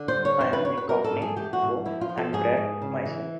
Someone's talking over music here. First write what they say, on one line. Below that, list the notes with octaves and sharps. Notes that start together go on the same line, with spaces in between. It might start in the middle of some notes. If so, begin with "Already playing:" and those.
I'm a cockney born and bred myself.
Already playing: D3
C5
G3
C#5
F#2 C5
B4
F#2 C#5
B4
G3 A#4
A4
G#2
G#4
E3 G4
F#4
G#2
F3 E4
F4
F3
A4
G#2 G#4
G#2
C#3
E3